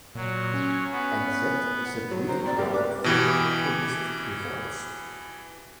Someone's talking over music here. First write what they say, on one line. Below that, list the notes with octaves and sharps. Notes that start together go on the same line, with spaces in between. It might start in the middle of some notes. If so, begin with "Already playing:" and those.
And that is the breeding ground for populist revolts.
A#2 F#3
C#4
B3
F#3
F#3 C5 A#5
C4 D5
G3 A#3 G4
B4 D6
B2 E3 G4